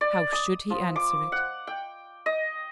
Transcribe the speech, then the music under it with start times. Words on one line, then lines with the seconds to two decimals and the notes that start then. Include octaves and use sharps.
How should he answer it?
0.01 D5
0.33 D#6
0.70 F3
0.96 D6
1.32 F#5
1.67 G5
2.26 D#5